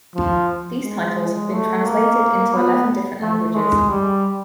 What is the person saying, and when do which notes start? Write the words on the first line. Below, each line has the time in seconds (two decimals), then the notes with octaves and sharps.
These titles have been translated into eleven different languages.
0.15 F3
0.83 G#3
1.51 A3
1.85 A#3
2.53 B3
3.21 A3
3.54 G#3
3.89 G3